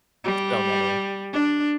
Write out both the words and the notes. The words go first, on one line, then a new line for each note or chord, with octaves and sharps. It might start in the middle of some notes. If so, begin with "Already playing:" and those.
So many.
G3
D4